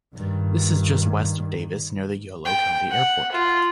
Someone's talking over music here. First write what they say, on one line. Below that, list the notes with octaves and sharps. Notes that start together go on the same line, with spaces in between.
This is just west of Davis near the Yolo County Airport.
G2 D#3
G5
F#5
F4